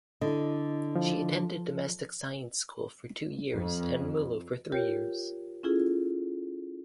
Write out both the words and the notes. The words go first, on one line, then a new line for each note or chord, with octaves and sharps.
She attended domestic science school for two years and Mulo for three years.
D3 E4 D#5
F3
F2
F4 G4 A#4 C#5 G5
C#4 E4 F4 G#4 A4